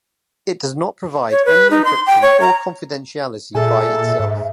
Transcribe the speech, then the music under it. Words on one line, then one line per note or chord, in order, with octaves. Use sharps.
It does not provide any encryption or confidentiality by itself.
C#5
B4
D#4
C6
G5
C#5
A#5
A#2 G#4 A4 E5 G#5
G#2